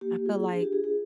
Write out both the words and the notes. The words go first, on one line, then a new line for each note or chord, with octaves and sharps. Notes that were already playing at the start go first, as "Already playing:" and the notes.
I feel like
A#3 G4
F4 G#4
D4 G#4
G4
F4 G#4
G#4